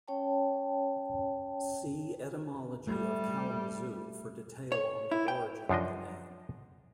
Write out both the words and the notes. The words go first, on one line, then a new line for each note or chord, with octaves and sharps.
"See," Etymology of Kalamazoo for detail on the origin of the name.
C#4 C#5 G5 A5
G3 A3
C#5
E4
G5
F#2 F3 D4 D#5